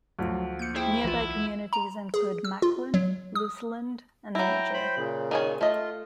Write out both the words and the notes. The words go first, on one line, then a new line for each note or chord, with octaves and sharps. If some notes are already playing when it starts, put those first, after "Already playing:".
Nearby communities include Macklin, Luseland and Major.
D2 F3 F#3 F#4
A#3 G6 C#7
E4 G#4 C5 G5
B1 E3 F4
A#5
G#4
E6
F4
F#3
D#6
F#3 E4 G5 A#5
C5 G5 B5
A#2 C#3
D#3 G#4 C#5
A3 F4 D#5